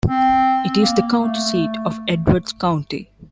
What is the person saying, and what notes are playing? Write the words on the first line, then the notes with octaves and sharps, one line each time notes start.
It is the county seat of Edwards County.
C4
A#3
A3